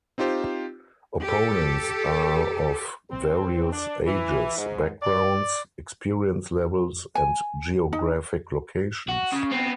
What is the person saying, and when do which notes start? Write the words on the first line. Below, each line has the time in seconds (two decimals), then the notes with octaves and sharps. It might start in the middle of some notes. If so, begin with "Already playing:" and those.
Opponents are of various ages, backgrounds, experience levels, and geographic locations.
0.18 C4 D#4 F4 G4 C5
1.23 G4 A4
3.10 C4
3.71 D4
4.05 E3
4.58 G#2
5.02 D5
7.15 G#5
7.93 D#4
9.09 F#4
9.33 C#3
9.51 B3 C4